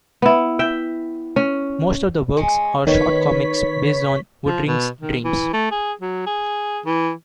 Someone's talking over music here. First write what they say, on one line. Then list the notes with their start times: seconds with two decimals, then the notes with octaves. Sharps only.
Most of the works are short comics based on Woodring's dreams.
0.22 B3 E4
0.59 E5 G5
1.36 C#4
2.37 G#3 C#4
2.87 D#3 B3 C#5 B6
4.46 F3
4.67 B2
5.00 D#3
5.24 E3
5.53 A3
5.71 G#4
6.01 F#3
6.26 G#4
6.85 E3